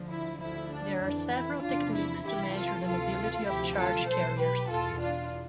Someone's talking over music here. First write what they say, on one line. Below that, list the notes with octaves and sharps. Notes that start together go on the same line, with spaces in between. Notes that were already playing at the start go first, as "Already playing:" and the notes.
There are several techniques to measure the mobility of charge carriers.
Already playing: D2 D3 F3
E4
D2 D3 F3 E4
D4
F2 E3 D4
E4
E2 C3 F3 D4 F4
E4
C2 C3 E3 E4 G4
F4 A4
D2 C3 E3 F4 A4
D2 C3 F3 E4 G4
F4 A4
B1 B2 A4 C5
G4 B4
E2 B2 F4 A4
D4 F4